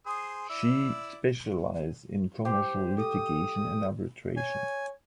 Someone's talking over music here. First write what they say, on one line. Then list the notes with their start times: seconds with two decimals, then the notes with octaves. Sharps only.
She specialize in commercial litigation and arbitration.
0.06 G#4 C5 D#6
0.50 E4 D5 E6
2.45 G4 C5
2.98 A4 D#6
4.37 C#5 G#5